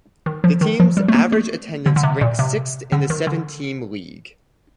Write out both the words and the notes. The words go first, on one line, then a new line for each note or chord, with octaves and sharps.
The team's average attendance ranked sixth in the seven-team league.
D#3
F3
D#3
F3
G3
A3
A#3
A3
D3
D3
C3
A#2
C3
D3
D#3
D3